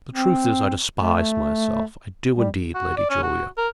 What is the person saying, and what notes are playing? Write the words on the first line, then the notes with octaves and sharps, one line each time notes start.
The truth is, I despise myself;--I do indeed, Lady Julia.
C4
A3
G3
F#4
D5
C#4
F#4
A#4